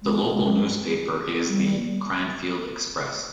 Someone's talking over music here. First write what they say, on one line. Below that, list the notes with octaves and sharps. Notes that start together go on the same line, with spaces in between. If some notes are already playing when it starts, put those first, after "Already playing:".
The local newspaper is the "Cranfield Express".
G#3
G3